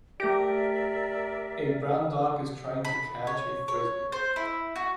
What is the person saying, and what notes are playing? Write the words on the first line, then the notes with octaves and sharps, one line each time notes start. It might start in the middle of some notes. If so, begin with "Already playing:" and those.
A brown dog is trying to catch a Frisbee.
A3 G4 A#4 D5 E5 A#6 D7
B5
C#5
C#5
C5
E4
F#4